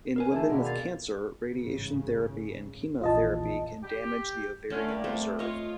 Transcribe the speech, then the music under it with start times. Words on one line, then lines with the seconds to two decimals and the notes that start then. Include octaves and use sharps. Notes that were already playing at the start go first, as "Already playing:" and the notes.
In women with cancer, radiation therapy and chemotherapy can damage the ovarian reserve.
0.16 A#4 B4 G#5
0.32 E3 A3 A#3 E4 G#4 G#5 A5
0.50 B2 D3 D#3 A#3 B3 A4 A#4
0.64 F5 G#5 A6
1.52 A1 G#2 C#3
3.02 A#1 E2 F4 D#5 A5
3.83 G4
4.70 D3 A3 C#4
4.88 G3 A#3 D5
5.04 A3 B3 C4
5.39 F4 C#5 D#5